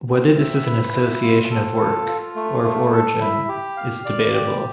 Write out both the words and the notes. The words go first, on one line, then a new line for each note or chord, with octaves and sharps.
Whether this is an association of work, or of origin, is debatable.
C4
E5
B4
E4
F4
A4
F4
F4
A3
A3
A4
E4
G4
F5
D5
G4